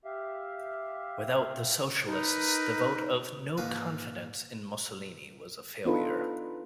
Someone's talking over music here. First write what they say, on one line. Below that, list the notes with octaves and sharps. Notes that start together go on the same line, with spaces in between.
Without the socialists the vote of no 'confidence' in Mussolini was a failure.
G4 E5 F5
D#4 A#4 B4
G#2 F3 A#3 B4 C#5 D6
B3 D4 D#4 F4 A4 B4